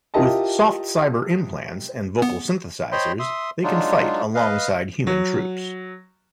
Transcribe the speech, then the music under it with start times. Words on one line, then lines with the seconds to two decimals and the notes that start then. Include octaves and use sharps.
With soft-cyber implants and vocal synthesizers they can fight alongside human troops.
0.14 E4 F4 G4 A#4 D#5 A5
2.22 B3
2.92 C5 C#5 D#5 G5 B5 C6
3.19 E5 C6 D#6
3.63 F#3 G#3 D4 D#4 F4
4.35 B4 D#5 F5
5.07 F#3